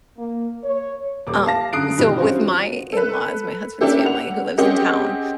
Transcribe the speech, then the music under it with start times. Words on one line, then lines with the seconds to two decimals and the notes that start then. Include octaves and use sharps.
Um, so with my in-laws, my husband's family who lives in town,
0.17 A#3
0.63 C#5
1.27 D#1 D6
1.47 F5 A5 A#6
1.73 F#2 D3 D#6 F#6 C7 D7
1.98 G2 B2 D#3 E3
2.18 C4 C#4 F4 F#4 C5
2.39 F#4
2.93 A4 B4
3.81 A#3 C#4 D4 E4 G4 A4
4.05 F#5 F7
4.58 C4 C#4 G4 G#4 D#5 F#5